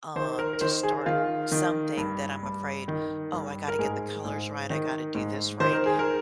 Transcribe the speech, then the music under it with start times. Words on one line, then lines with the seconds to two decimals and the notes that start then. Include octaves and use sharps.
um, to start something that I'm afraid, "Oh, I gotta get the colors right. I gotta do this right."
0.16 D#3 C5
0.39 A#4
0.53 A#4
0.61 D#3 C5
0.83 G#4
1.06 D#3 F4
1.52 D#3
1.97 G2
2.43 G2
2.88 D#3
3.33 G2
3.68 A#4
3.79 G#2 G#4
4.24 G#2
4.70 D#3
5.15 G#2
5.60 D#3 C5
5.73 A#4
5.86 G#4
5.99 A#4